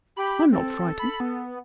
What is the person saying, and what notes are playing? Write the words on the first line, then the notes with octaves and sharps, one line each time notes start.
"I'm not frightened."
G4 B5
C4 A4
B5
B3